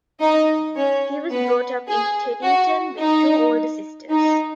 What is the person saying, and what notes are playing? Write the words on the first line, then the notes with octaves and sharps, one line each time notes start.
He was brought up in Teddington with two older sisters.
D#4 D#5
C#4 C#5
B3 B4
G#4
F#4
D#4
D#4